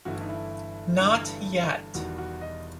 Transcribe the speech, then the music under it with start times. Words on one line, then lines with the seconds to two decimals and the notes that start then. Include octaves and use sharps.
Not yet.
0.05 G1 G2 E3 A3 F#4
0.14 E4
0.21 D#4
0.29 E4
1.00 G1 G2 E3 A3
1.94 E1 E2 D#3 G3 F#4
2.18 F#4
2.41 D#5